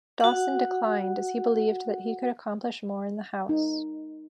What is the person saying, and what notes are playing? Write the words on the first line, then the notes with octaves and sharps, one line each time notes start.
Dawson declined as he believed that he could accomplish more in the House.
F#4 F#5
D#4